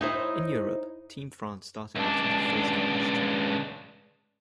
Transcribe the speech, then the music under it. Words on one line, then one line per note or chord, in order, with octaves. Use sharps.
In Europe, team France started out as a fierce competitor.
D#4 E4 C5
C#2 D4